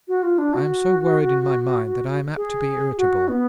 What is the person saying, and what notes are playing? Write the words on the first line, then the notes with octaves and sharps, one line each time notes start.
I am so worried in my mind that I am apt to be irritable.
F#4
F4
D4
F#4
G#4
F#4
B3